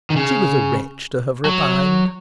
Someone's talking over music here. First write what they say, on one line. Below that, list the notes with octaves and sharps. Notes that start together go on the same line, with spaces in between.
She was a wretch to have repined.
D#3
C#3
F#3